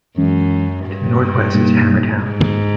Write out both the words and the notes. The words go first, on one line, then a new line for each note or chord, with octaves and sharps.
To the northwest is Hammertown.
F#2 E3 G#3 C#4
G2
B2 G3 A#3 D#4
G#2